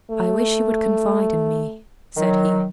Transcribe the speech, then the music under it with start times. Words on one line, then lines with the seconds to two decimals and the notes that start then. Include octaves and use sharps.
"I wish you would confide in me," said he.
0.10 A3
2.17 D#3 F#3